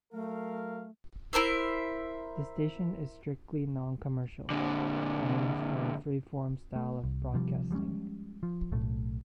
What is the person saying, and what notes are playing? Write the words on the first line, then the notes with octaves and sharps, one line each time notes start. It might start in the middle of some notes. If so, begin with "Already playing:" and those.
The station is strictly non-commercial, and aims for a free-form style of broadcasting.
F#3 A3 A#4 F5
E4 A#4 C5 E5
A#2 D3
A3
C2
C3 F3 G3
F3 G3 G#3 C#4
F3
B1 A2 A3